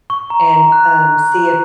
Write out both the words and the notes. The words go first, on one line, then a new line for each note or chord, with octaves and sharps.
and, um, see if
C#6
A#5
A#5
F#6